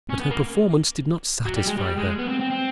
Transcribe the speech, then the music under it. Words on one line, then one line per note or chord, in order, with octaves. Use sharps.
But her performance did not satisfy her.
C#4
B3
A#3
F#3
G3
G#3
G3
G#3
B3
C4
C4
C4